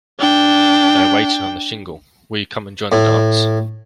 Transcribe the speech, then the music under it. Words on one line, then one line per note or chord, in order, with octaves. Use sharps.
They are waiting on the shingle—will you come and join the dance?
D4 G5
A2